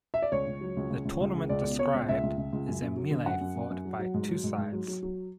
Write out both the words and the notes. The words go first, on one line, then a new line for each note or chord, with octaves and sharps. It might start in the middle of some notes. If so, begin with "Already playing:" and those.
The tournament described is a melee fought by two sides.
E5
D5
C#2 C#5
C#2
F#3
C#2
C#2
C#2
C#2
C#3
C#2 D5
B2
B2 C#5
C#2
C#2 E5
C#2
C#2
C#2
F#2
F#2
F#3
D3
F#2 F#5
F#2
F#2
F#2
F#3
F#3
G#2
F#3
G#2
G#2
F#3
F#3
F#3